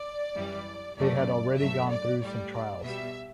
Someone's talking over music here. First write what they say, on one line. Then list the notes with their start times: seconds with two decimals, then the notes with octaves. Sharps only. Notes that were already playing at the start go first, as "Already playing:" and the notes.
They had already gone through some trials.
Already playing: D5
0.35 F#2 E3 G3
0.97 F#2 C#3 F#3 A3 D5
1.58 G2 F#3 A3 E5
1.90 D5
2.21 A2 G3 D5
2.52 D5
2.83 B2 G3 E5